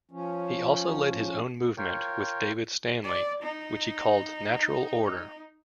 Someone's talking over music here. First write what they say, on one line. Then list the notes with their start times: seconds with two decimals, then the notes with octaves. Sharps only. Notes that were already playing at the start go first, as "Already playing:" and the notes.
He also led his own movement with David Stanley which he called "Natural Order".
0.11 F3 C#4
1.77 F4 A#4 C#5 G5
3.04 D5
3.42 D#4